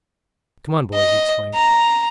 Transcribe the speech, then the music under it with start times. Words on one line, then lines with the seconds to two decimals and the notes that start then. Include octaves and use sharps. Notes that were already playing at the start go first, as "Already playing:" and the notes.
"Come on, boys!" he exclaimed.
0.94 D#5
1.54 A#5